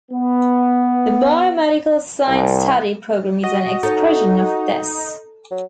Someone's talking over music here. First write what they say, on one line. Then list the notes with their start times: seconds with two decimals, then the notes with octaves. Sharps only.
The Biomedical Science study programme is an expression of this.
0.11 B3
2.26 C2
3.44 F#4 D#5
3.83 D#4 A4 C#5
5.51 F#3